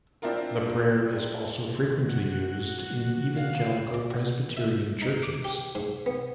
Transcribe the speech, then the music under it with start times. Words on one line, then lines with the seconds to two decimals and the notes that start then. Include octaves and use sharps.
The prayer is also frequently used in evangelical Presbyterian churches.
0.22 C4 D4 E4 F4 A#4
2.08 F#4
3.36 F5
3.94 D5
4.11 F#4
4.57 E5
5.02 D#4
5.23 D6
5.44 G4
5.75 G#2
6.06 B3